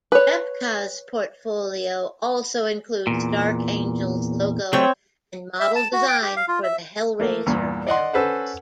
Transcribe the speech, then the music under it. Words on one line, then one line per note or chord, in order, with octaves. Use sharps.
Repka's portfolio also includes Dark Angel's logo and model designs for the "Hellraiser" films.
B4 C#5
E2 A#2
F#3 A3 C4 C#5
E5
A5
F#4
G5
G4
F5
F4
E5
A3 A#3
E2 G2 A#2
D5 D#5 F#5 C6
C#4 A4 B4 C5 F#5